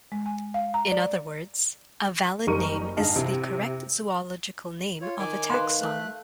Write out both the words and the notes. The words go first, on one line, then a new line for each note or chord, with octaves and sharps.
In other words: a valid name is the correct zoological name of a taxon.
G#3
G#5
F5
A#5
D5
F#1 G3 D#4 A#4 C#6 D#7
G#2 D3 G#4 D#5 F5 A5
C3 E4
F4 C#5
D#3 D#4 G#5 D6
B4 F5 C6
A3 F#6